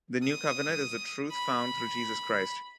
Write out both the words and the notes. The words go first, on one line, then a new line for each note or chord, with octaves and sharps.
The New Covenant is the truth found through Jesus Christ.
D#6
B5